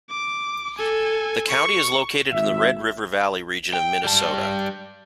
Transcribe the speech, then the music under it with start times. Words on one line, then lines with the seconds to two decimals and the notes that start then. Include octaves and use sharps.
The county is located in the Red River Valley region of Minnesota.
0.10 D6
0.79 A4 G#5
1.48 C#6
2.31 G#1 E5
3.74 G5
4.04 G3 A5